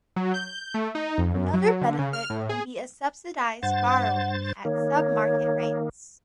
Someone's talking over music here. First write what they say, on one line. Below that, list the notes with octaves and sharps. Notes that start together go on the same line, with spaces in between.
Another benefit can be a subsidized borrowing at sub-market rates.
F#3
G6
A3
D#4
F2
F#2
F#3
D3
C#3
F6
A2
G#4
G2 C5 F#5 A6
D#3 A#3 C#5